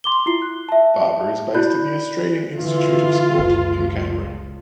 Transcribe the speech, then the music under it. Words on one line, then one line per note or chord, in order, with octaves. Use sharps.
Barber is based at the Australian Institute of Sport in Canberra.
C6 D6 G7
E4 F4 C7 G7
F#6
E5 A5
E4 F#4 D5 B5 F#6 G6
D3 E3 F4
F#1 C#2